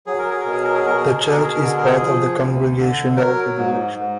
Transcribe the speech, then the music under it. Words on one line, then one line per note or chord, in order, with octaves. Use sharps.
The church is part of the Congregational Federation.
F#3 G#4
A#4
G#4
B2 A#4
G#4
A#4
G#4
B2 A#4
G#4
A#4
B2 G#4
A#4
G#4
A#4
D3 G#4
A#4
G#4
F3
D2
D3
F#3 A#4
G#2
G#2